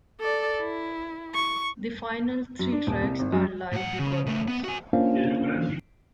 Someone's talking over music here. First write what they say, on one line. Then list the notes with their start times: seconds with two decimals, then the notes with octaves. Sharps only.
The final three tracks are live recordings.
0.21 A4 D5
0.61 E4
1.35 C#6
2.59 F#2
2.72 D4
2.87 D#1
3.02 C2
3.19 G#1
3.32 F#2
3.72 A2 F#5
4.00 C#3
4.26 C#3 A3
4.48 B3
4.64 F#4 G#5
4.93 A#3 C#4 D4 F4 C5 F5